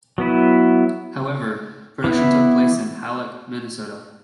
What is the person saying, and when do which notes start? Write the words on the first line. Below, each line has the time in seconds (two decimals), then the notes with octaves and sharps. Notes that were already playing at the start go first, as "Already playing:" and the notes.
However, production took place in Hallock, Minnesota.
0.18 F#3 B3 E4 B4
2.04 E3 B3 E4